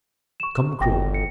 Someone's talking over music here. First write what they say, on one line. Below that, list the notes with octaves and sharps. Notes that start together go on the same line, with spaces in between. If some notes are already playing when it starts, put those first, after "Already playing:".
Come, cruel!
C#6 E7
G1 G5 A#6
C#7